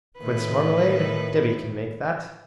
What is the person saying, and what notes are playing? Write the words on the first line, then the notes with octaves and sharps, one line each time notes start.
Quince marmalade? Debby can make that.
A2 D#3 B4